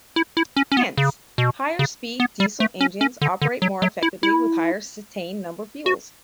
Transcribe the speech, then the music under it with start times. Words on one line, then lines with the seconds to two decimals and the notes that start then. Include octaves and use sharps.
Hence, higher speed diesel engines operate more effectively with higher cetane number fuels.
0.16 E4
0.37 E4
0.57 C#4
0.72 C#4
0.77 B3
0.98 C#3
1.38 B2
1.79 C#3
2.20 B3
2.40 G3
2.60 A3
2.81 C#4
3.01 C#4
3.22 D3
3.42 D3
3.62 F#3
3.82 F#3
4.03 E4
4.23 E4
5.86 F#4